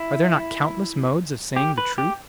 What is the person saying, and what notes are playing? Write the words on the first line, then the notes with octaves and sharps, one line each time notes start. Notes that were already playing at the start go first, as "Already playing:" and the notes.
Are there not countless modes of saying the truth?
Already playing: E4
G4
B4
G4